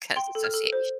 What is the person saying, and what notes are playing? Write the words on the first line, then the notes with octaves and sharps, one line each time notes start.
'cause association.
G5 C6
A4
F6
A4
C5